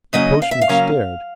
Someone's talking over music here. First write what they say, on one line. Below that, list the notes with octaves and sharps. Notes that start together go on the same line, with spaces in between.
The postman stared.
C#3 F#3 A#3 C#4 D#5
F5
E5
F5
C#3 F#3 A#3 C#4